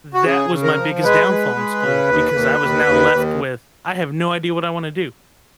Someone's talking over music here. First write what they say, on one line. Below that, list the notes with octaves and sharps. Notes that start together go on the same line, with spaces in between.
that was my biggest downfall in school because I was now left with, I have no idea what I wanna do.
F#4
C#3 G#4
C#3
A#4
F3
G#3 B4
G#3
G#3
C#3
D#2
D#2
D#2
D#2
D#2